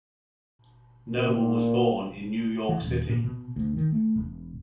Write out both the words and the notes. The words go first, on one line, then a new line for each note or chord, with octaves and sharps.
Noble was born in New York City.
A#2
E3
D#1
A#2
B2
D2
D#3
A3
E1